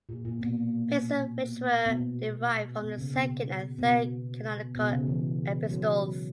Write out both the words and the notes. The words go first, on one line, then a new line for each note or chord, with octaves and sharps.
Basil which were derived from his second and third canonical epistles.
A#2
A#2
B2
B2
B2
C#3
B2
B2
B2
C#3
E3
F#3